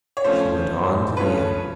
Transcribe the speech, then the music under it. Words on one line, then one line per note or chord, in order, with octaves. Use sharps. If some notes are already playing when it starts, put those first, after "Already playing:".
She went on to the end.
C#5
C#3 F3 A3 C#4 C5
C#3 F3 A3 C#4 B4